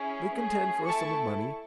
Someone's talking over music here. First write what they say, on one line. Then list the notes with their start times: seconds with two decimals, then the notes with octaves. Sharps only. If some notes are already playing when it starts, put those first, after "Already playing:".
They contend for a sum of money.
Already playing: C#4 E4 G#4
0.37 A3 C#4 G#4
0.87 A3 E4 A4 A5 C#6